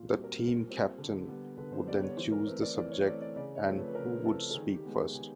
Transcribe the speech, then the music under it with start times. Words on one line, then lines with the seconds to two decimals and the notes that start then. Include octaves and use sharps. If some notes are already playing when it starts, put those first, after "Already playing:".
The team captain would then choose the subject and who would speak first.
Already playing: A#2 F4
0.09 G3 C4 F#4
0.24 A#4
0.38 A#2
0.68 G3 C4
0.98 D3
1.28 G3 B3
1.57 D3 B4
1.72 C5
1.87 G3 D5
1.91 B3
2.02 C#5
2.17 E3 C5
2.32 A#4
2.47 C4 B4
2.50 A3
2.62 D5
2.77 E3 D5
2.91 C#5
3.06 A3 D5
3.10 C4
3.21 D5
3.36 C#3 D5
3.55 C#5
3.66 F3 A3 C4
3.76 B4
3.88 B4
3.95 C#3 A#4
4.25 F3 A3 C4 A4
4.50 A4
4.55 D#3 G#4
4.74 G4
4.85 G#3 B3
4.94 G4
5.14 D#3 G#4